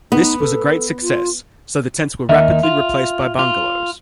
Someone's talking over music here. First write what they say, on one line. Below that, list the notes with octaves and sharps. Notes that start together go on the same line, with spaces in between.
This was a great success, so the tents were rapidly replaced by bungalows.
B3 D#4
A4
F4
D#2 D#3 D#4 E5
F4
F4